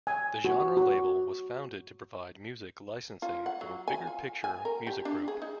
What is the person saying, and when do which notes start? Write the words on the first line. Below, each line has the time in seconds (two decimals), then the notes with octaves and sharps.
The genre label was founded to provide music licensing for Bigger Picture Music Group.
0.07 G#5
0.45 F#4
0.77 F#4
3.22 F4
3.46 F#5
3.61 F#3
3.88 G#5
4.07 F4
4.44 G#5
4.65 A#4
4.87 G4
5.05 D4
5.28 G#4
5.42 D#4